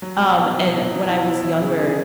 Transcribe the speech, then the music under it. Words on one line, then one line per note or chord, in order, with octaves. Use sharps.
Um, and when I was younger
F#3
B2
B2
B2
F#3
B2
E4
E4
E4
C#3
G#4